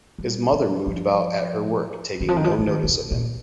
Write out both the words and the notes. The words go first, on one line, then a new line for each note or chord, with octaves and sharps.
His mother moved about at her work, taking no notice of him.
G3
F3
F3
D#3
F3
D#3
F3
D#3
F3
D#3
D#3
C3
A#2